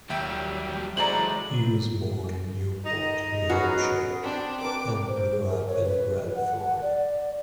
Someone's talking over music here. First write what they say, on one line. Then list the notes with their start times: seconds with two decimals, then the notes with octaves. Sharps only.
He was born in Newport, New Hampshire, and grew up in Bradford.
0.10 D#2 F#3 G3 E5 G5
0.97 F#3 G#3 E4 A4 C5 D5 A#5 F#7
2.85 D#4 D#5
3.50 B3 C#4 F#4 G#4
4.24 C4 D4
4.61 A#4 B4 D6
5.08 C5
5.50 A#4
5.68 C#5
5.84 B4
6.36 F#5
6.82 D5